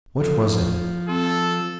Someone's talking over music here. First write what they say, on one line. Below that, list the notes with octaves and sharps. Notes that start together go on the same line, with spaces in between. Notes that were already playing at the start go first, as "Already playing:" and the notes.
What was it?...
F3 A4
C4 A4